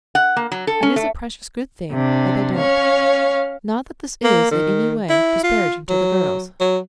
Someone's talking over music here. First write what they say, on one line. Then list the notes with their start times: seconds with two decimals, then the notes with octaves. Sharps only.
It is a precious good thing that they don't.--Not that this is in any way disparaging to the girls.
0.15 F#5
0.37 A#3
0.52 F#3
0.67 A4
0.83 C#4
0.96 A3
1.91 C3 D4
2.56 C#4 C#5 F5
4.24 A#3
4.51 D#3
5.09 E4
5.44 F4
5.89 F#3
6.60 F#3